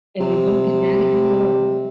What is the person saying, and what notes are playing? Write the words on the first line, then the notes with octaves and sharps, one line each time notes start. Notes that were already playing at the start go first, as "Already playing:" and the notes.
And they wouldn't get mad at you at all.
C3